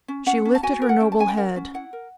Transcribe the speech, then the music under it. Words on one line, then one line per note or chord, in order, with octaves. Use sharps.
She lifted her noble head.
C#4
C#4 F#5
C#4
A5
F#4 G#5
A#4
F#5
C#4 G5
A5
C#4 G#5
G5
A#4 F#5
C#4
E4 F#5
A#4